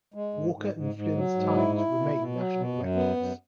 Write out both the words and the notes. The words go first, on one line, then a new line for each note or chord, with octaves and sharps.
Walker and Flynn's times remain national records.
G#3
G#2
G#2
G#2
G#2
F#3
G#2
E4
E4
B2
B2
F#3
B2
F#2
B3
F#2